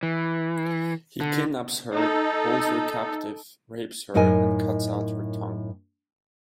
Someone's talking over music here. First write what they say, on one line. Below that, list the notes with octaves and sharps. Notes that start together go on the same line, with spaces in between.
He kidnaps her, holds her captive, rapes her, and cuts out her tongue.
E3
D3
D#4 A4
F#2 A2 D#4 A#4 D#5 G#5